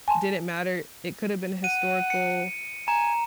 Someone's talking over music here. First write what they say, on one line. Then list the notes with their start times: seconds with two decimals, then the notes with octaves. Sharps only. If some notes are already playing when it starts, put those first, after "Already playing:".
didn't matter, it could've been historical,
0.08 G#5 A5 C6
1.64 F#5 D#7
2.10 C#7
2.88 G#5 A#5